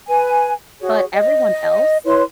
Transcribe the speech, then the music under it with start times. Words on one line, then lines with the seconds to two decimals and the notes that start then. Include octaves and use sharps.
But everyone else,
0.07 B4 G#5
0.80 F#4 G#4 C#5
1.13 D#5
2.05 E4 B4 C#5 C6